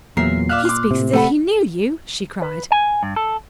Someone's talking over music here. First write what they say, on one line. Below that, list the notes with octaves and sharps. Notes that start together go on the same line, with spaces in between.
"He speaks as if he knew you!" she cried.
E2 A#2 F#3 A#4 E5 C7
D5 E5 F5 F6 F#6
C6 D6
A2 C3
A3 A4 B4 F#5 B5
B4
G#5
G2
A4